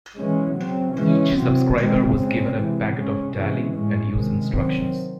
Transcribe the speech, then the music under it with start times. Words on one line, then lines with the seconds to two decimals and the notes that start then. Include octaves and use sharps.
Each subscriber was given a packet of dialing and use instructions.
0.19 E3 G#3 C#4
0.58 C#3 F#3 C4
0.98 C#3 E3 G#3 C#4
1.37 C3 F#3 C4
1.76 D#3 G#3 C4
2.16 C#3 G#3 C4
2.56 C3 E3 G#3
2.95 C#3 G#3 C#4
3.34 C3 E3 G#3 C#4
3.74 A2 G#3 C#4
4.13 C3 D#3 G#3
4.53 D#3 F#3 C4